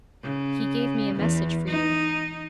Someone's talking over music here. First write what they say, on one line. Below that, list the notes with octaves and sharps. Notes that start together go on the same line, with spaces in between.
He gave me a message for you.'
C#3
E2
D#4